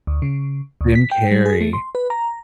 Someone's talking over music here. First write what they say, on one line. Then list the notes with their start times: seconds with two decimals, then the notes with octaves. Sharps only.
Jim Carrey.
0.07 D2
0.22 C#3
0.81 D2
0.95 B6
1.11 G5
1.31 G3
1.45 G#4
1.60 A3
1.73 C6
1.95 B4
2.10 A#5